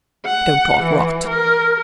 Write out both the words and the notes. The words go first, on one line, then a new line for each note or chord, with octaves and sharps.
"Don't talk rot!"
F#5
E3
A#4